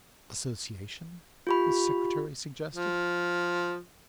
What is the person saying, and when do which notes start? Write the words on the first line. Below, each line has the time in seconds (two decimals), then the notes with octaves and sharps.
'Association?' the Secretary suggested.
1.47 F4 G4 B5
2.74 F3